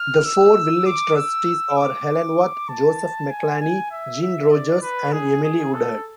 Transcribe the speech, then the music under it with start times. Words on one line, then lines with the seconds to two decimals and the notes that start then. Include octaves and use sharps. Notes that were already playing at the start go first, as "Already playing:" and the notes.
The four village trustees are Helen Worth, Joseph McLarney, Gene Rogers, and Emily Woodhead.
Already playing: F6
0.25 E6
0.86 D6
1.16 E6
1.77 D6
2.69 A5
3.31 G#5
3.61 G#5
3.91 E5
4.22 E5
4.51 D5
4.82 B4
5.12 G#4
5.44 G#4
5.74 A4